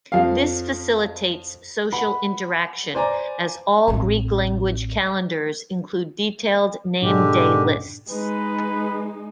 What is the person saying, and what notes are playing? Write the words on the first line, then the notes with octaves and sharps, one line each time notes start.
This facilitates social interaction, as all Greek language calendars include detailed name day lists.
F2 F5
B4 F#5 B5
B4 C5 D5 G#5 A#5
A1 C4
G#2 B2 D3 G#3 D4 G4
G#3 D#4 B4